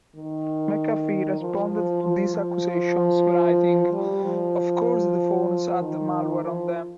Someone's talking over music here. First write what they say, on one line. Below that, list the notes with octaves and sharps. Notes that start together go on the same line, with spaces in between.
McAfee responded to these accusations, writing, Of course the phones had malware on them.
D#3
F3
F3
F3
F3
G3
F3
D#3
F3